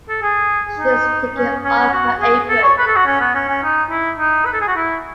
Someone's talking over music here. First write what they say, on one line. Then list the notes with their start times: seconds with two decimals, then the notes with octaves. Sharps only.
She’s taking off her apron.
0.09 A4
0.23 G#4
0.79 D#4
1.35 C#4
1.64 C#4
1.79 C#4
1.93 F#4
2.20 G#4
2.49 A4
2.63 C#5
2.78 B4
2.87 A4
2.96 F#4
3.06 C#4
3.20 B3
3.35 C#4
3.48 C#4
3.63 D#4
3.90 E4
4.18 D#4
4.45 B4
4.53 A4
4.61 G#4
4.68 F#4
4.76 E4